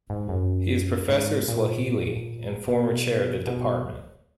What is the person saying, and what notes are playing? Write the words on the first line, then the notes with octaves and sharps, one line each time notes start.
He is Professor of Swahili and former chair of the Dept.
G#2
F#2
G#2
A#2
B2
B2